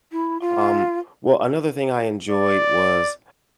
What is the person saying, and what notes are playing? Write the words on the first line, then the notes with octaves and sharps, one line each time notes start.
Um, well, another thing I enjoyed was,
E4
F4
D5